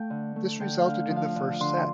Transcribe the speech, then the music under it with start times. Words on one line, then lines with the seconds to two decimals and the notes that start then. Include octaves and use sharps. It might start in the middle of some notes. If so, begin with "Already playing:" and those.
This resulted in the first set.
Already playing: A3 F5 G5
0.10 D3
0.36 A3
0.60 D3 G5
0.79 F5
0.85 D3
1.10 F3
1.16 F5
1.36 D3
1.60 D3 C6